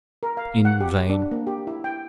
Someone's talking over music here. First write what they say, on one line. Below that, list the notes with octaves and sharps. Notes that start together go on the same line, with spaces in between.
In vain!
A#4
F5
F#5
G4
D4
A#3
G4
E4
G5